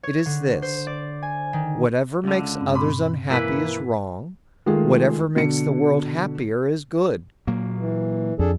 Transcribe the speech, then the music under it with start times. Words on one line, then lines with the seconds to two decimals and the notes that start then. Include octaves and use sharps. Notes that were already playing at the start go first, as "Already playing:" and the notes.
It is this: Whatever makes others unhappy is wrong; whatever makes the world happier is good.
0.03 C#5
0.26 D3
0.62 C5
0.87 D5
1.23 G#5
1.53 D#3
2.24 C#2 D3
2.58 G2 C4 C#4
2.75 B2 B5 C6 D6
3.30 E3 A#3 E4 B4 B6
4.66 D#3 G#3 A3 F4 G#4
5.36 B2 D3 C#7
7.47 A#2 F#3 A#3
7.79 E3
8.39 F2 D4 G#4 A4